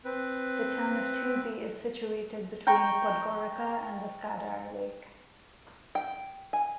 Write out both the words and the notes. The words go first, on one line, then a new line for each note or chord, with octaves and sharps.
The town of Tuzi is situated between Podgorica and the Skadar lake.
C4 B4
G5 A#5 C#6
G5
G#5